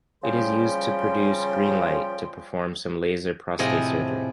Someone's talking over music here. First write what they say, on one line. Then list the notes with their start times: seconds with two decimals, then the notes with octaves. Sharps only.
It is used to produce "greenlight" to perform some laser prostate surgery.
0.23 C#3 F3 G3 G5 C6
3.59 A2 C3 F3 G#4 D#5